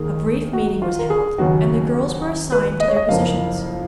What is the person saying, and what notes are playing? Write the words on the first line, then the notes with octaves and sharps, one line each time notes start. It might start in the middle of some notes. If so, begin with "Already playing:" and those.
A brief meeting was held, and the girls were assigned to their positions.
Already playing: D#2 D#3 A#3 G#4
F#4
F4
A#4
G#4
D#2 C#3 F#3 B3 F#4
B4
D#5
C#5
D#5
F#1 F2 F3 A#3 F5